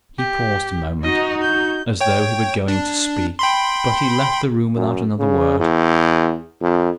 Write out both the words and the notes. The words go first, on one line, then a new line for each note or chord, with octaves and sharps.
He paused a moment as though he were going to speak, but he left the room without another word.
G4
D#4 F#4 D#5
G6
C#5 G5
D4
G5 B5 C6
F#2
C#3
E2
F2